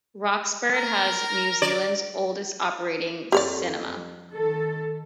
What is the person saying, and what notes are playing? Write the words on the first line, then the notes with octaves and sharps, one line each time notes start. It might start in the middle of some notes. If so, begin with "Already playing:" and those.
Roxburgh has New Zealand's oldest operating cinema.
A#4
D5
F2 G4 C#5 D5
D#3 A4